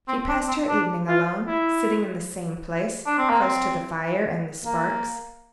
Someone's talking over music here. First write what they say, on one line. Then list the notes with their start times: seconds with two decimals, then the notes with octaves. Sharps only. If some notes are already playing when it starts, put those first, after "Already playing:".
She passed her evening alone, sitting in the same place, close to the fire and the sparks.
0.08 C4
0.28 D4
0.48 C4
0.69 D4
1.08 F4
1.47 E4
3.06 D4
3.18 C4
3.30 A#3
3.41 C4
4.65 A#3